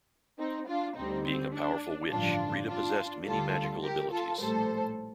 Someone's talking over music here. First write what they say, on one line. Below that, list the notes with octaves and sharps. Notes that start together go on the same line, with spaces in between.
Being a powerful witch, Rita possessed many magical abilities.
C4 D#4
D4 F4
D2 D3 G3 C4 D#4
C4
D4
A1 G2 D3 F3 D4 F4
D4 F4
D2 D3 G3 F4 A4
G4 A#4
F4 A4
A#1 A2 G3 A4 C5